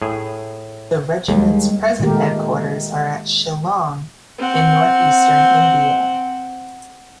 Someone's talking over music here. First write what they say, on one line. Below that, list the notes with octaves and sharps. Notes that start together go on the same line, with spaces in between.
The regiment's present headquarters are at Shillong, in North-Eastern India.
A2 G#4
D#2 G3 G#3
A#2 D#3 G#3 A3 G4 A#4
C4 F#5